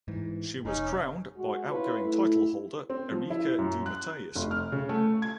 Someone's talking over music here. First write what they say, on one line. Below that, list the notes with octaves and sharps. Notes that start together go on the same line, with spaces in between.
She was crowned by outgoing titleholder Erica De Matteis.
G#2 E3
F1 C#4 D#4
G#3 F#4
C#4 E4 F4 B4 C#5
A3 E4
C4
F3
E4
F#2
F#6
F1
F6
C#3
A3
G#6